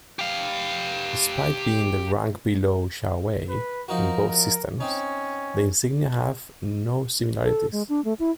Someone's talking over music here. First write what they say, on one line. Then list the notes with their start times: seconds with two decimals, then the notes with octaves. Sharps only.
Despite being the rank below Shaowei in both systems, the insignia have no similarities.
0.19 G4 F5
3.49 B4
3.88 F3 D#4 F#4 A#4
4.28 A#4
4.80 C4 C#4 D#4
7.43 A4
7.72 G#3
7.89 D4
8.05 A3
8.19 E4